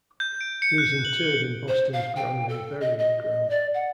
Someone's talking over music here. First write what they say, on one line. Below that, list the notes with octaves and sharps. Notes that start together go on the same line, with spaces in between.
He was interred in Boston's Granary Burying Ground.
G6
D7
C#7
F#6
F#7
G7
C5
F5
G5
A4
D#5
D#5
D5
F#5